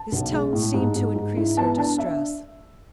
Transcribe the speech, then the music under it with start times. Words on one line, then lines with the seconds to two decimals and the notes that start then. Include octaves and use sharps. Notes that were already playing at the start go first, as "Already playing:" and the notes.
His tone seemed to increase her distress.
Already playing: A5
0.12 B1
0.33 G#3
0.53 A2
0.74 G#2
0.96 G#2
1.16 G#2
1.37 E4
1.57 B3 A5
1.78 D4 A5
1.98 D4 E5